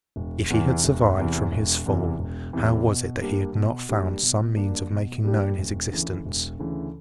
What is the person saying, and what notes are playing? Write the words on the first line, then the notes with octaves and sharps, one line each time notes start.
If he had survived from his fall, how was it that he had not found some means of making known his existence?
E1
E2 C3 E3
E1
E2 C3 E3
E1
E2 C3 E3
E1
E2 C3 E3
B2
G3 A#3 D4 G4
B2
G3 A#3 D4 G4
B2
G3 A#3 D4 G4
B2
G3 A#3 D4 G4
E1
D2 C#3 E3
E1
D2 C#3 E3